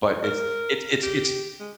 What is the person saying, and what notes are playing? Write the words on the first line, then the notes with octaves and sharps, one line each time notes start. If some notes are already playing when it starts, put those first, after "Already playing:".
but it's it's it's it's
A#4
G4
G#3